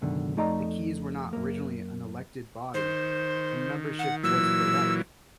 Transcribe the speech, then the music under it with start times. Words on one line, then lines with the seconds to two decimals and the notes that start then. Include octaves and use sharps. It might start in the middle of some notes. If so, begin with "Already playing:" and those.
The Keys were not originally an elected body, and membership was for life.
0.01 C#2 F#2 B2 D3 D#3
0.37 F2 A3 D#4 D5 D#5 A#5
1.33 F#2 A#3
2.74 D#3 C5
3.99 F#5
4.24 A#2 E3 F#3 E6